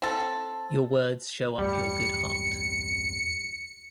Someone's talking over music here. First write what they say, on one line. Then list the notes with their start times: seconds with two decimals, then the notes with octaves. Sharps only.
Your words show up your good heart.
0.02 C4 A4
1.58 E2 G2 G3 A3 C#7